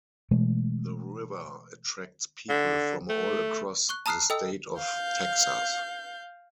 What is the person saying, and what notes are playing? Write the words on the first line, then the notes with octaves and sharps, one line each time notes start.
The river attracts people from all across the state of Texas.
B2 E3 G#3 A3
D3
A3
C#6 F#6
A5 A#5 D#6 F6 F#6 C7
A4 D#5 G5 D#6 E6
F5 G6